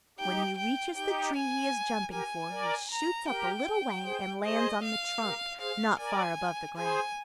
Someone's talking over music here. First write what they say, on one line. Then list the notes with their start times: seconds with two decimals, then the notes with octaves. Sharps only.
When he reaches the tree he is jumping for he shoots up a little way and lands on the trunk not far above the ground.
0.19 D#4 G4 G5
0.58 G5
0.96 D#4 G4 G5
1.35 G#5
2.12 G4 A#4 G#5
2.51 A#4 D5
2.90 A#5
3.28 G4 A#4 G5
4.05 G#4 C5
4.44 G#4 C5 D#5
4.83 F5
5.22 G4 A#4
5.60 G#4 C5 F5
5.99 A#4 D5 G#5
6.76 G#4 C5 G#5